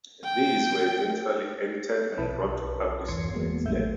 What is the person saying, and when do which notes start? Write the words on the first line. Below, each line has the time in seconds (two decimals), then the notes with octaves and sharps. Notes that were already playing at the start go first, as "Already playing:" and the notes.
These were eventually edited and brought to publishing by Claire.
0.23 G5
2.18 B1 E4 B4 A5 B5
3.08 G1 E2 C6 G#6 C7 C#7
3.33 E2 F#3 G#3 A#3 B3
3.65 A1 F2 A3 E5 G6